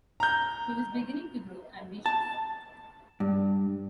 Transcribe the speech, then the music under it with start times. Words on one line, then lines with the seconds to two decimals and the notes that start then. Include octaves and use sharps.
He was beginning to grow ambitious.
0.20 A#5 G6
2.06 A5
3.20 G2